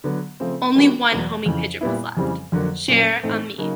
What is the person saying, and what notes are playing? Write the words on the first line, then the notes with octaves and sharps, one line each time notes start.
Only one homing pigeon was left: "Cher Ami".
D3 F#3 B3
C#3 F3 A3 C4
D#3 G3 B3 D4 F#4
E2 B2 F#3 B3
F2 C#3 E3
A#2 G3 B3 E4
F2 C#3 E3 G3 C4
F2 D3 F#3 A#3
A#2 F#3 A#3 C#4
A2 E3 A3 C4 D#4
C#3 F#3 A#3 D#4